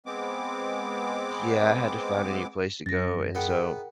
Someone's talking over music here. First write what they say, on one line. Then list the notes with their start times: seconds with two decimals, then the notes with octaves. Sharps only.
yeah, I had to find a new place to go, and so
0.06 G#3 B3 C4 D6
2.86 F#2 A6 A#6
3.35 G#2 B3 A#4 F#5 G5